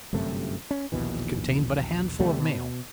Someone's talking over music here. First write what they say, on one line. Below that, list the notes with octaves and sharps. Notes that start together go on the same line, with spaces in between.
It contained but a handful of mail.
G1 F#2 C3 A3
C#4
A#1 D#2 B2 E3
D#2 C3 G3 A3
B2